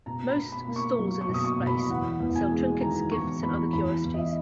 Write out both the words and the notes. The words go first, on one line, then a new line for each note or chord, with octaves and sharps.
Most stalls in this space sell trinkets, gifts, and other curiosities.
B2 A#5
B5
B2
B5
A#3
C#6
F#3
C#6
B2
D#6
C#6
B2
B5
E2 F#5
E2
G#5
G#3
D#3 A#5
E2 C#6
E2 B5
E2 B5
E2
D#5
E5